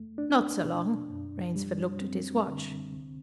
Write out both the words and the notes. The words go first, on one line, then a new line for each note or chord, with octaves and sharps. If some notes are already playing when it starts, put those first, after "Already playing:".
"Not so long." Rainsford looked at his watch.
Already playing: E2 A3
D4
B2
F#2
G3
C4
D3
C2